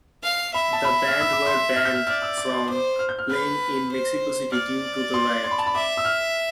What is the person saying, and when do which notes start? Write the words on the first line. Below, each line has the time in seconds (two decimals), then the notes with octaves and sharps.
The band were banned from playing in Mexico City due to the riot.
0.23 F5
0.54 E5 B5
0.73 A5
0.85 B5
1.08 F6
1.21 E6
1.33 D6
1.46 C6
1.76 F6
1.85 G6
1.94 F6
2.07 D5 F6
2.22 E6
2.38 D6
2.53 C6
2.69 C5 D6
2.99 F6
3.09 G6
3.19 F6
3.30 B4 F6
3.91 C5
4.52 D5 F6
5.14 C6
5.44 C6
5.51 B5
5.59 A5
5.66 B5
5.75 E5 D6
5.97 E6
6.05 F6